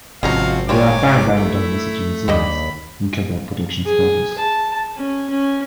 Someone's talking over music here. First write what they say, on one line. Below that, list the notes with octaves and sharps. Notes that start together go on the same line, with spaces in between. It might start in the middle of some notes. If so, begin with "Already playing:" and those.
There are five biodiversity reserves in Quebec with permanent protection status.
G#1 C3 F3 C#4 D#4 F#4 F5 A#5
G#2 G3 C4 F4 C#5 G#5 D6
A3 E4
D#2 D3 A#3 D#5 B5
G#4
A5
C#4
C#4